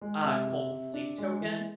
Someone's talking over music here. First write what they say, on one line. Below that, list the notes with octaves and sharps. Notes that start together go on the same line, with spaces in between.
uh, called Sleep Token.
G#3
C3
C3
C3
D4
G#3
E3